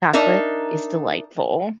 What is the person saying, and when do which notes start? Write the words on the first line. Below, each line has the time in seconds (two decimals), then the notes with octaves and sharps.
Chocolate is delightful.
0.13 D4 D#4 A#4 E5